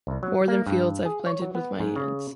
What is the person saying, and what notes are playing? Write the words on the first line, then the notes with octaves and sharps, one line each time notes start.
More than fields I've planted with my hands.
C2
F#3
A#3
G2
G#4
C#5
F#3
B3
G#2
C#3